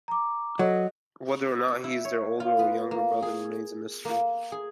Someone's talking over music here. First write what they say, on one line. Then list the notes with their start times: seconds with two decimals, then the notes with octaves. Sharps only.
Whether or not he is their older or younger brother remains a mystery.
0.08 A#5 D6
0.59 F#3 A4 D#5
1.84 E4
2.05 C#5
2.40 F4
2.59 B3
2.91 A#3
3.22 G#4
4.05 A#3
4.52 G#4